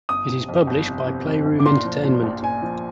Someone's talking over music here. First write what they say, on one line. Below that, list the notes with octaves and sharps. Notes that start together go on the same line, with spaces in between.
It is published by Playroom Entertainment.
G1 D#6
C3
F2
G1
C3
C3
F2
G1
D6
A#2 C6
F3
A#2
A#1
A#2 G#5
F3